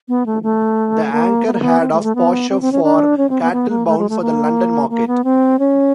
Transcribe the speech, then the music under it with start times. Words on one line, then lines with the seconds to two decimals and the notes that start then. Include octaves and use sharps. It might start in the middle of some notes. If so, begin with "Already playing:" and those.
The Anchor had of pasture for cattle bound for the London market.
0.08 B3
0.26 A3
0.43 A3
1.12 A#3
1.46 B3
1.53 A#3
1.61 B3
1.81 C4
1.92 A3
1.99 G#3
2.03 A3
2.15 B3
2.50 C4
2.61 C4
2.72 C#4
2.83 D4
3.17 C#4
3.29 C4
3.42 B3
3.53 B3
3.69 A#3
3.87 A3
3.98 G#3
4.09 A3
4.21 A#3
4.90 A#3
5.08 B3
5.24 C4
5.59 C#4